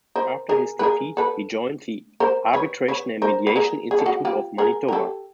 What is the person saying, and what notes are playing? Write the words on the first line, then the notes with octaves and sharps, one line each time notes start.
After his defeat, he joined the "Arbitration and Mediation Institute of Manitoba".
A#4 C5
G#4 A#4
B4
G#4 A#4
A4 B4
A#4 C5
B4 C#5
B4 C#5
A#4 C5
B4
G#4 A#4
G#4
A4
F#4 G#4
F4 G4
G#4 A#4
A#4
G4 A4